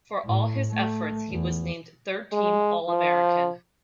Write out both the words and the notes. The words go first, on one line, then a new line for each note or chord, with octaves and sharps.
For his efforts, he was named Third Team All-American.
A2
A3
E2
G#3
F3